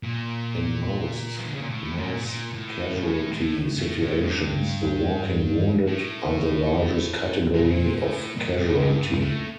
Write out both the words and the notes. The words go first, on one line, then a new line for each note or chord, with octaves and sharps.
In most mass casualty situations, the walking wounded are the largest category of casualty.
A#2
E3
D3
C#3
A#2
A2
A#2
A#2
A2
A2
A#2
A2
A2
A2
G2
A2
A#2
C#3
A#2
A2
A#2
A2
G2
A2
G2
A2